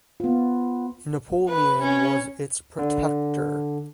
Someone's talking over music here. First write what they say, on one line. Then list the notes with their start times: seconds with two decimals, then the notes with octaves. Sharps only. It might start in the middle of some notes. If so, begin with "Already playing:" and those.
Napoleon was its "protector".
0.20 B3 F4
1.49 B4
1.82 C#4
2.79 D3